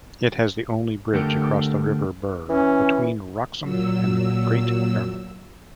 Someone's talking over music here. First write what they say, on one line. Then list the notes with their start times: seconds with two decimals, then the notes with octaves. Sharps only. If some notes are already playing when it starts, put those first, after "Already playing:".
It has the only bridge across the River Bure between Wroxham and Great Yarmouth.
1.14 D3 A3 D4 G4 A4 A#4
2.49 E3 C#4
3.61 A#2 F#3 E6